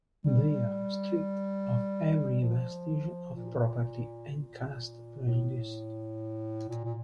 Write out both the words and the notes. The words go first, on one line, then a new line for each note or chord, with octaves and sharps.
They are stripped of every vestige of property and caste prejudice.
G3
G3
G3
F3
A#2
A#2
A2
A#2
A#2